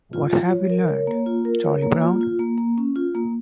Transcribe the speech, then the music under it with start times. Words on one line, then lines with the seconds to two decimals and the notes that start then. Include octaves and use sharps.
What Have We Learned, Charlie Brown?
0.13 F4
0.31 F4
0.51 C#5
0.70 A#4
0.88 C#5
1.07 A#3
1.26 F4
1.45 A#4
1.63 C#5
1.82 A#3
2.02 F4
2.21 F4
2.39 A#3
2.58 A#3
2.78 C#4
2.96 F4
3.15 A#3